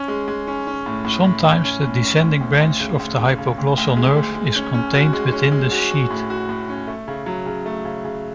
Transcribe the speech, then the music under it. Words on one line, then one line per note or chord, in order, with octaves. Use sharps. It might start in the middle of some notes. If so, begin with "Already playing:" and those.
Sometimes the descending branch of the hypoglossal nerve is contained within the sheath.
Already playing: C#4
G#3
G#3
C#4
C#4
A2
A2
A2
C#4
C#4
A2
C#4
D2
D2
D2
C#3
D2
C#3
C#3
D2
D2
G#3
D2
G#3
C#4
C#4
F#4
G#3
C#4
G#3
F#4
F#4
A2
F#4
A2
C#4
A3
C#3
F#3
C#3
A3
C#3
C#3